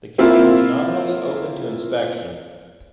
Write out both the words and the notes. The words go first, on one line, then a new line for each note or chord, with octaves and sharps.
The kitchen is nominally open to inspection.
A#3 C4 E4 F4